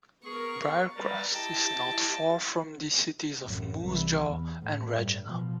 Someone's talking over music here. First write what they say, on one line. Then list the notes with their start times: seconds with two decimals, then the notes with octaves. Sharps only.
Briercrest is not far from the cities of Moose Jaw and Regina.
0.25 B3 G#4 A#4 C#6
0.96 G3 B4 D5 A#5 A6
1.34 E4 G4 D#5 G5 A5
3.44 A1 F#2
3.83 C2 E3
4.28 E2
4.62 A2
4.95 G2
5.26 B2 F3